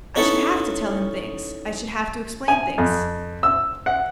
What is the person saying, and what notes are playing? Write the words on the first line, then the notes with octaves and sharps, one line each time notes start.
I should have to tell him things, I should have to explain things----.
C#4 D#4 E4 A4 B4 C#5
G#5
F2
E6
F#5